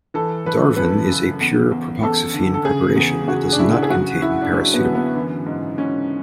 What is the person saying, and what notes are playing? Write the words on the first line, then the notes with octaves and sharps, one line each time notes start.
Darvon is a pure propoxyphene preparation that does not contain paracetamol.
E3 A4
E3 B4
F#2 B4
C#3
E2
E2
E2 A4
D3
A4
C#3 G#4
E2
C#3 F#4
D4
C#3 E4
G#4
F#2 F#4
F#2 E4
D4
F#2 C#4
B3
D3
B3
E3
G#2
G#2 C#4